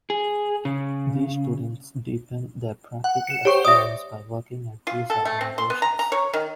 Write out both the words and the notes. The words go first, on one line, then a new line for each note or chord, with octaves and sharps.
These students deepen their practical experience by working at these organizations.
G#4
C#3
F#5
C#7 E7
G4 C5 C#5 C#6
D5 E5 D#6
F4
A4
A3
C4
C6
B3
A#5
A#5
C#5
D#3